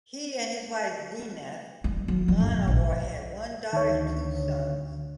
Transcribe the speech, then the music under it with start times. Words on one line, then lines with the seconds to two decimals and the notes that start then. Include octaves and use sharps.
He and his wife Zeenath Munawar had one daughter and two sons.
1.84 G3
2.08 F#3
2.28 F3
2.40 G1
2.54 B1
2.67 A#1
3.73 D2 D#3 C#5